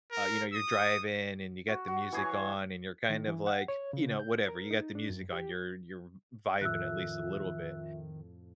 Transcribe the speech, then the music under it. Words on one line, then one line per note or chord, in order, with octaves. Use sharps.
uh, you know, you're driving and you got the music on and you're kind of like, you know, whatever, you got the music on, you're you're vibing at least a little bit,
A#4
D#6
F#4
F#4
E3 G#4 C#5
D#3
E3
F#5
C#5
C#3
G6
A#4
D#4
D4
F#2
G4
F2 A2 D#3 F4 E5 E6 F#6